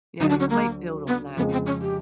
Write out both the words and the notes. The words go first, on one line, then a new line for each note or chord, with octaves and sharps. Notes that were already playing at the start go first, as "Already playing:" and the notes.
you know, and we might build on that.
D2 D3 F#3 D#4
D4
C#4
A#3
B3
F2 C#3 F3 G#3 B3
C4
C#4
G4